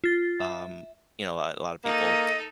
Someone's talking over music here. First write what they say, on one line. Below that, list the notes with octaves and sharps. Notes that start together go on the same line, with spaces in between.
Um, you know, uh, a lot of people
F4 A6
E5
A#3 D#4 A4 D#5